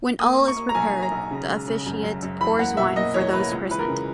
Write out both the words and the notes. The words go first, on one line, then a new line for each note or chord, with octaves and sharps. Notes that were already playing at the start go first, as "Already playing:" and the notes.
When all is prepared, the officiant pours wine for those present.
A#3 D#6
A#3
C#6
A#3
A#5
B1 G#5
B1
A#5
B1
C#3
G#3
C#3
F#2
F#2
F#2
E2 B5
A#3 F#5
B2 E5
A#3 D#5
E2 C#5
A#3 B4
C#2
E3 B4
A#4
C#3